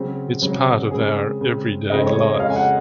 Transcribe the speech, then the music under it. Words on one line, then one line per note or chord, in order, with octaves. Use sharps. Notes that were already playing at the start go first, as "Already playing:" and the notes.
It’s part of our everyday life.
Already playing: C#3 F#3 C4
C#3 F#3 C4
C#3 G#3 C4 G#4
C#3 G#3 C4
F2 C#3 G#3 C4 D#5
C5
C#5
D#5
F2 C#3 G#3 C4 F5
G#5
F#5